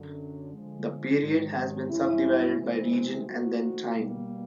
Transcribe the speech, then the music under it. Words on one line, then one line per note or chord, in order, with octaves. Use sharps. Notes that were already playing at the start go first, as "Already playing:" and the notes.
The period has been subdivided by region and then time.
Already playing: F#2 D3 F#3
D3 F3 G#3
G#2 D#3 F#3
G2 E3 G#3 C#4 E4
C3 E3 G#3 C4
E3 A3 C4 D#4 F#4
B2 G3 A#3